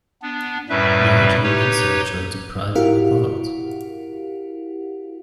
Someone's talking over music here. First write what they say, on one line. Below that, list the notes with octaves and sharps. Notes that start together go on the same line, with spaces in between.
Marge and Lisa try to pry them apart.
B3 D4
F#2 A2 G3 B4 E5
D#4 G4 B4 C#5
E4 F#4 G4 A#4 F5 F#5